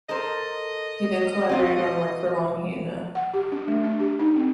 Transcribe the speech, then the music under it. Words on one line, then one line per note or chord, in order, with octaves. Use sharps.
He then collaborated on work for Longhena.
A4 A#4 C5 D#5
C4 F4 F#4
F#5
G4
D4
A3
D4
G4
D#4
C4